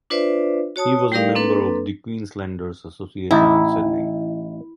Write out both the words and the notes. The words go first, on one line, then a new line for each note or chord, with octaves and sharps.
He was a member of the Queenslanders' Association in Sydney.
D4 F4 B4 C5 D5 E5
F#4 C#5 A5 D#6
G3 D#4 G4 A#4 D5 F5
A#3 C4 D4 A4 B4
A1 D#4 E4